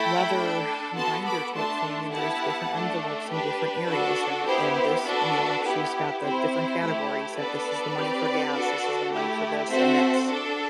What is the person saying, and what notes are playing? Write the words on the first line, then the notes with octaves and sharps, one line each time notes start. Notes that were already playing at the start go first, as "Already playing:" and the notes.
leather binder type thing, and there's different envelopes in different areas. And and this you know, she's got the different categories that this is the money for gas, this is the money for this, and that's
Already playing: A3 E4 A4 G5 B5
D4 A4
B3 F#4 A4 A5 C6
B5 D6
A3 D4 A4 A5 C6
B3 E4 G4 F#5 A5
A3 D4 A4
D4 G4 B4
D4 F#4 A4
B3 E4 G4 C5
C5
D4 F#4 A4 B4
B3 E4 G4
C4 E4 G4 C5
A3 E4 G4
B3 D4 A4 B4 D5
C4 G4
D4 F#4 A4
A3 E4 G4
C4 F#4 A4 C5 E5
D4 A4